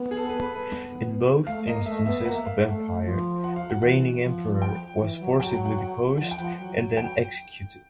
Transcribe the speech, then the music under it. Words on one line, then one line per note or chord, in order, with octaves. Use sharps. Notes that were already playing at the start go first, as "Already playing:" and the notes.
In both instances of Empire, the reigning Emperor was forcibly deposed and then executed.
Already playing: B3
G#4
A4
B4
B4
B3
A3 F5
A#3 D#5
A3 E5
B3 E5
A#3 F#5
E5
F5
A3 F#5
F3
F#5
F5
F#5
E3 F#5
F3
G5
E3
F#3
F#3 G5
F#5
F#5
F#5
F3 F#5
G5
F3
F#5
F#3
G5